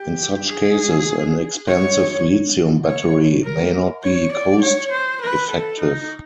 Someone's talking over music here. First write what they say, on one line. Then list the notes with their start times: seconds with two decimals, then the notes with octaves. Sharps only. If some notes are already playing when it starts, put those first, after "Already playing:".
In such cases, an expensive lithium battery may not be cost-effective.
Already playing: G4
0.49 G#4
1.67 C#5
2.85 C#5
3.44 A#4
4.03 C#5
4.32 D5
4.62 C#5
4.91 C5
5.21 B4
5.50 A4
5.80 D#4